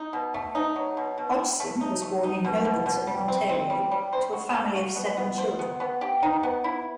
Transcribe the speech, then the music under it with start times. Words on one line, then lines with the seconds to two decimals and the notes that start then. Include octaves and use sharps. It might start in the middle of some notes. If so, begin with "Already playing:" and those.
Hodgson was born in Nobleton, Ontario to a family of seven children.
Already playing: D#4
0.13 B2
0.34 A3
0.55 D#4
0.76 F#3
0.97 B2
1.18 B2
1.39 E4
1.60 A3
1.81 D#4
2.02 A3
2.23 D#4
2.45 B2
2.65 B2
2.86 B2
3.07 G3
3.28 C4
3.49 C4
3.70 G3
3.91 G3
4.13 C5
4.33 F#4
4.54 A4
4.75 F#4
4.96 B3
5.17 B3
5.38 C5
5.59 B3
5.80 B3
6.01 G4
6.23 D#4
6.43 B3
6.64 E4